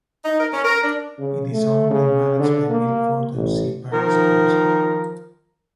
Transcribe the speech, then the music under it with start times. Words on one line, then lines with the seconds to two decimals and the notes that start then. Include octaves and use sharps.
It is owned and managed by Milford On Sea Parish Council.
0.25 D#4
0.40 A#4
0.52 C#4
0.64 A#4
0.83 D4
1.19 C#3
1.52 A3
1.90 C#3
2.39 D3
2.70 A#3
3.35 A1
3.92 D#3 F3 A#4